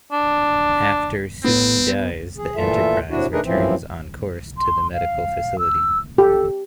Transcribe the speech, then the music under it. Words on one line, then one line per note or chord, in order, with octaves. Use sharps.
After Soong dies, the "Enterprise" returns on course to the medical facility.
D4
B3 C4
G#4
A#2 E3 A3 F4 A4 E5
A2 C3 D4 E4 F#4
A3 D4 D#4 G#4 A#4 B4
F#2 A2 E3 F3 C4
C6
F5
E6
G4 A4